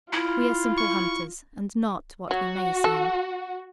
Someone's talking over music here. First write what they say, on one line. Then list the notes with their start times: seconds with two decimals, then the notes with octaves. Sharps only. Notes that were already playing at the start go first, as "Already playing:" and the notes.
We are simple hunters, and not what we may seem.
0.13 E4 F4
0.78 C#6
2.31 F#3 F#4
2.84 A4